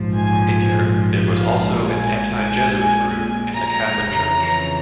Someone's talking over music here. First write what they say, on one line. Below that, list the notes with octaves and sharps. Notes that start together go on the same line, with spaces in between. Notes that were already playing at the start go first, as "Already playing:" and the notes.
In Europe there was also an anti-Jesuit group in the Catholic Church.
Already playing: A#1 G#2 F3
G#5
F5
A#1 A#2 G#3 G#5
G#5
A#5
F2 C#3 E3